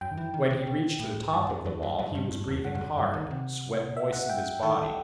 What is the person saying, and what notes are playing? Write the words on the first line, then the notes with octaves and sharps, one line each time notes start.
When he reached the top of the wall he was breathing hard; sweat moistened his body.
F#2 G5
D#3
E3
D#3
C3
B2
A2
G2 A5
F#2
F#2
F#2
F#2
G2
G2
E2
G2 F#5
G2
F#2
G2
D#3
C3
E5
F#5
G5
D#3 A4